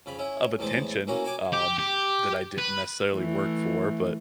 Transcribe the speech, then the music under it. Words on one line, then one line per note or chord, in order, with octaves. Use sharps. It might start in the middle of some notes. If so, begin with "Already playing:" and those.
of attention, um, that I didn't necessarily work for, but
F2 C#3 B5
C#4 E4
E2 A2 E3 G#3 A4 C5
E3 A#3 C#4 F#4
F#4 C#5 G5 G#5 D6
G4
G4
B4
E3 A3